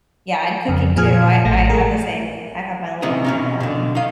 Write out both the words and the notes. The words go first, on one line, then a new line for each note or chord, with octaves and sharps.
Yeah, and cooking too, I I I'm the same. I have my little one, um,
F2 C#3
A#2 F3 G#4 F6 G#6
A1 A3 A#6
A3 G#4 A#4
A2 C3 D#3 C#4 D#4 D#5
B2 C#4 D#4
B2 D3
D#4 F5